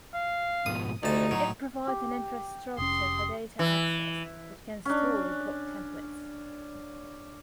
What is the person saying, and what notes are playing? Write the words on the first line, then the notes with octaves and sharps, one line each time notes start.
It provides an infrastructure for data access, which can store report templates.
F5
G#2 B2 F3 D#6
D2 D#4 G4 C5 D5 A5
A2 F#3 A#5
G4
F1 C#4 C6 D#6
E3
C#4 D4